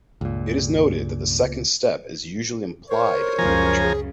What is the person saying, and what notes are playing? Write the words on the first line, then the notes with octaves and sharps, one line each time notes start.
It is noted that the second step is usually implied in literature.
C#2 G2 A#2
A#4 C5 C#5
C#2 F#2 C#3 F3 G#5 A#5
G#4